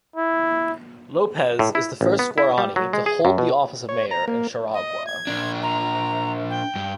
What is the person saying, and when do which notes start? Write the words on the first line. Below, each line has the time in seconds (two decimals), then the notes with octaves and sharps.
Lopez is the first Guarani to hold the office of mayor in Charagua.
0.16 E4
1.59 A2
1.75 E4
2.01 A1
2.19 B3
2.38 E4
2.58 G3
2.76 F#3
2.93 G#3
3.06 G#4
3.25 F#2
3.38 B2
3.89 C#5
4.11 A#5
4.28 A#3
4.74 D#5
5.06 G#6
5.27 A#2 D4
5.62 A#5
6.50 G5
6.75 G2